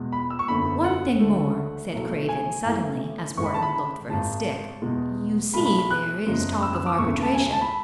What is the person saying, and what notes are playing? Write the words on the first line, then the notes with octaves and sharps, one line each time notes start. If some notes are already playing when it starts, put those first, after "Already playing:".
"One thing more," said Craven suddenly, as Wharton looked for his stick--"you see there is talk of arbitration."
Already playing: E2 B2 G#3
B5
E6
C#6
F#1 E2 D3 B5
F#5
D2 D3 A3
B1 A2 F#3 A3
G#5
A1 A2 E3 A3
A1 A2 G#3 C#6
B5
A5
B5
G#1 G#2 G#3 A5
E2 B2 G#3
B1 A2 G#3 B5
B5
B5
F#6
F#1 E2 C#3 G#3
E6
E6
D6
E1 D2 C#3 C#6
A5
G#5
A5
B5